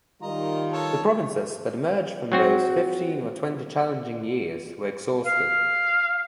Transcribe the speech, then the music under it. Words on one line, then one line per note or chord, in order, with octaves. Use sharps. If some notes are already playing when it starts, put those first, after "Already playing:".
The provinces that emerged from those fifteen or twenty challenging years were exhausted.
D#3 G3 F4 D#5 A#5
A4 C#5 A5
F#3 C4 F#4
F5